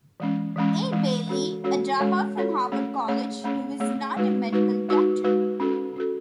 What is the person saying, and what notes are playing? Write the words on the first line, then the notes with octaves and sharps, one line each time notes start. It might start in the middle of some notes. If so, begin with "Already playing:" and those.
A. Bailey, a dropout from Harvard College, who was not a medical doctor.
E3 G#3 C#4
E3 G#3 C#4
E3 G#3 C#4
G#3 C#4 F#4 A4 C#5
G#3 C#4 F#4 A4 C#5
G#3 C#4 F#4 A4 C#5
G#3 C#4 F#4 A4 C#5
A3 C#4 G#4 C#5
A3 C#4 G#4 C#5
A3 C#4 G#4 C#5
A3 C#4 G#4 C#5
G#3 D#4 F#4 B4
G#3 D#4 F#4 B4
G#3 D#4 F#4 B4
G#3 D#4 F#4 B4
C#4 F#4 A4
C#4 F#4 A4